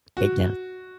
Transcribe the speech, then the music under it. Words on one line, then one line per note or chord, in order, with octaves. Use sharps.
It does.
F#4